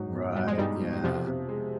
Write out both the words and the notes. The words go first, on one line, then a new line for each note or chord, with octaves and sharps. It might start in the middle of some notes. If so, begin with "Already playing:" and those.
Right, yeah.
Already playing: G#2 F#3 D#4
B2
B2 G3
G#3
G2 G3 D#4
B2
F2 C3 F3
C3
G#3